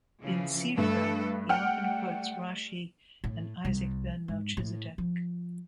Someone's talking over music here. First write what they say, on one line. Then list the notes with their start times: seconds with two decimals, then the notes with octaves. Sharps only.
In "Sifra" he often quotes Rashi and Isaac ben Melchizedek.
0.21 C#3 E3 F3
0.77 G2 A3 A4
1.49 G3 A3 F#5 G5 F6
3.24 A2
3.65 C2
4.28 G#2
4.57 A2
4.98 F3